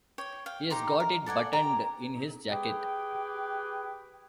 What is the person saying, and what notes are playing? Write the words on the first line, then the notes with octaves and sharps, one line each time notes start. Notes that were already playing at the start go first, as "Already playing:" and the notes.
He's got it buttoned in his jacket.
C#5 G5
F5 G5
D#4 G4 A#5 C6
A#4
A4 D5 F#5 G#5
G4 A#4 A#5
G4 G#4 B4 G5